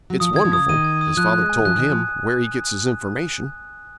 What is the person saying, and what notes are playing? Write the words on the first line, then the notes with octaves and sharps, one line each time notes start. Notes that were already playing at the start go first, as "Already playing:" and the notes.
It's wonderful, as father told him, where he gets information.'
F#3
F3 D#6
D#3 G#6
F3
C#3 D#6
D#3 D#7
G#6
D#6
F3 F#6
F#6
G#3
G#5
D#3
F3 F#6
D#3 F#6
F3